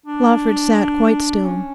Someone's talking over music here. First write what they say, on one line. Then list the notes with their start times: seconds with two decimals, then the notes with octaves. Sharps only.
Lawford sat quite still.
0.06 D4
1.45 C#4